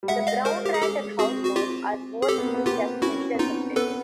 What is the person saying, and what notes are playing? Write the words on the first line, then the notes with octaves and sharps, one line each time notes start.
The brown rat and house mouse are both used as medical subjects.
G3
G#3 E5 F#5
D#5 F5
A#4 C5
G4
G#4
G#3 G4 A4
C4 F#4 G#4
F#4
F4 G4
G#4
C4 G4 A4
B3
A#3
B3
C4 F4 G4
C#4 E4 F#4
B3
C4 D#4 F4
B3 A4 B4